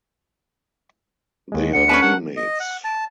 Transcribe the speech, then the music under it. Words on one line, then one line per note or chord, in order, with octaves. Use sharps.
They are teammates.
D#2 G#3
D2 D3 F#5 C#7
C#4 D#4 B4 A5
A#4 F#5
D#5
F#5
A5